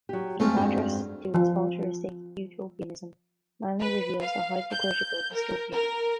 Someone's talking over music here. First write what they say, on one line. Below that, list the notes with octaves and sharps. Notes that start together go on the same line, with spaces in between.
In contrast to its altruistic utopianism, Manley reveals a hypocritical dystopia.
F#3 G4
F2 G#2 A3 C#4
G2 F#4 G5
F3
B4
F5
G6
A#4
A#4